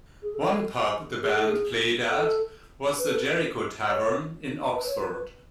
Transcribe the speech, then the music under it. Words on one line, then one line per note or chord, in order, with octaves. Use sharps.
One pub the band played at was the Jericho Tavern in Oxford.
G#4
A4
G#4
A4
G#4
A4
B4
A4
B4
C#5
B4
C#5
B4